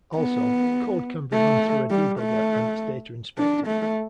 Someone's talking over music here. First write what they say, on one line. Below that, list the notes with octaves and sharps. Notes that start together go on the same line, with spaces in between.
Also, code can be run through a debugger and its data inspected.
B3
A3
G3
A3
D4
A3